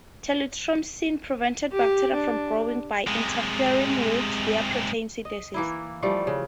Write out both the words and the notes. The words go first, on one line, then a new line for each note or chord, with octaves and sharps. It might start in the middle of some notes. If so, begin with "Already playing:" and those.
Telithromycin prevents bacteria from growing, by interfering with their protein synthesis.
G4
D4
C3 G#3
D#5
E3 A#3 E4
E3 F3 G3 A3
C#3